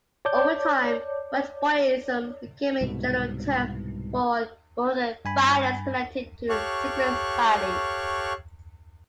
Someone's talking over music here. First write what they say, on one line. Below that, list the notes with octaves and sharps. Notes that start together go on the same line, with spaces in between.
Over time, "Whiteboyism" became a general term for rural violence connected to secret societies.
C#5 D5 A5 D6 G6
C2 G#2 B2
G2 G#5 B5
G4 A4 C#5 F5 C#6 F#6